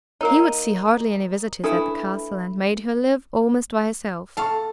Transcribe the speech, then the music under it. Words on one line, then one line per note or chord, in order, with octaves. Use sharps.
He would see hardly any visitors at the castle, and made her live almost by herself.
A#3 D#4 A#4 C#5
E3 A3 D4 E4 A4
A4 F5 A5 C#6